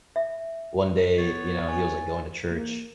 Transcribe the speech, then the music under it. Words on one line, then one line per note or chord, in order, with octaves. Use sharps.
one day, you know, he was, like, going to church
E5
B3 C#5 A6
G#5
A#3